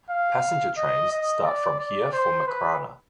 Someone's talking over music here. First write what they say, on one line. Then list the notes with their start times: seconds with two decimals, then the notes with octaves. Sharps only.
Passenger trains start from here for Makrana.
0.10 F5
0.77 D#5
1.12 D#5
1.46 D5
1.79 D5
2.13 C5
2.47 B4